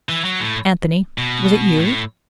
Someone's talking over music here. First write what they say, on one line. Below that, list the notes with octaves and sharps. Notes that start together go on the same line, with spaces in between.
"Anthony, was it you?"
E3
F#3
A2
B2
A2